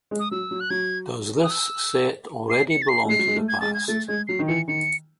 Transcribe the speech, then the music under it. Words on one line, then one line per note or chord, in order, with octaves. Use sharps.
Does this set already belong to the past?
G#3
D#6
F#3 E6
F#3
F#6
F#3 G#6
D#6
E6
C7
C#7
A6
C7
A3
G#3 C7
F#3
G#3
A3
G#6
G#3 A6
G#6
A3 A6
G#3 G#6
F#3 C7
D#3
E3 C#7
D#3 C#7